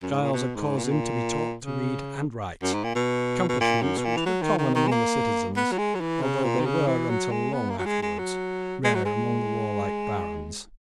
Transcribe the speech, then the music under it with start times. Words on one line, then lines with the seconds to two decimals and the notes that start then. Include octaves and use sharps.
Giles had caused him to be taught to read and write, accomplishments which were common among the citizens, although they were until long afterwards rare among the warlike barons.
0.02 F#2
0.13 G#2
0.22 A#2
0.33 B2
0.55 G#2
0.77 A#2
0.84 B2
0.91 A#2
1.64 C#3
2.62 F#2
2.73 G#2
2.84 A#2
2.95 B2
3.49 B2
3.60 A#2
3.82 F#2
3.97 B2
4.05 A#2
4.17 E3
4.26 F#3
4.42 D#3
4.58 D#3
4.75 D#3
4.87 G#3
4.91 A#3
5.57 B3
5.72 F#3
5.78 G#3
5.95 F#3
6.01 E3
6.22 C#3
6.44 A#2
6.60 D#3
6.66 C#3
6.87 E3
7.10 F#3
7.31 G#3
7.53 B3
7.70 A#3
7.79 F#3
7.86 G#3
8.02 G#3
8.18 F#3
8.84 G#3
8.94 F#3
9.05 G#3